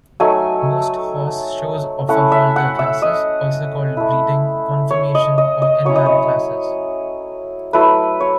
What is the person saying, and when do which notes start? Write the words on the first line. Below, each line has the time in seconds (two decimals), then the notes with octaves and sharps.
Most horse shows offer Halter classes, also called "breeding," "conformation," or "In-hand" classes.
0.20 F#3 A3 D#4 G#5
2.09 A3 C#4 E4 F#5
2.32 E5
2.56 F#5
2.79 E5
3.02 D#5
3.97 A3 E4
4.91 C#5
5.15 D#5
5.38 D#5
5.62 D#5
5.85 F#3 C#4 E4 C#5
5.96 D#5
6.06 C#5
7.73 F#3 A3 E4 B4
8.20 C#5